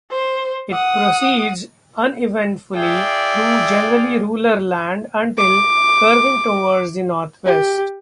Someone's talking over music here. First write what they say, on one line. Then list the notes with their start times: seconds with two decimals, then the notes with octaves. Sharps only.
It proceeds uneventfully through generally rural land until curving towards the northwest.
0.11 C5
0.72 F#5 D#6
2.75 F4 G#4 D5 E5 G5
5.38 D6
7.45 G4